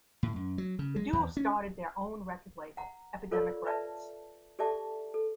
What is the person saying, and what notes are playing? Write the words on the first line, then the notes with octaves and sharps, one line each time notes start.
The duo started their own record label, Epidemic Records.
A2
F#2
F#3
C#3
G#3
E2
C#4
F#5 A#5
F4 A4 A#4 C#5 D5 F5
B4 D5 E5 A5
G4 A4 D5 E5 A5 D6
A4